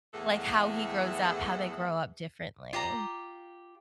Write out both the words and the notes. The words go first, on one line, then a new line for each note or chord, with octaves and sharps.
like, how he grows up, how they grow up differently.
E2 A2 E3 G#4 A4 F#5
F4 G4 D5 A#5